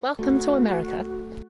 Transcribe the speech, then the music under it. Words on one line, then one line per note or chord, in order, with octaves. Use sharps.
Welcome to America.
A3 F#4